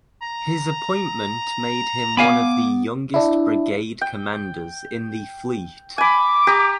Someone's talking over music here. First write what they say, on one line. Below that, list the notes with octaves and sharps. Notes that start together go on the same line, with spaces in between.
His appointment made him one of the youngest brigade commanders in the fleet.
A#5
B3 F5 G#5 B5 D6
D4 E4
G5
G#5 B5 D6
G4 A#5 D#6